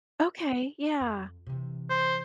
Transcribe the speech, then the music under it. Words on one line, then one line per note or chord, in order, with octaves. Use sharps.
Okay, yeah.
F2
C3 E3
C5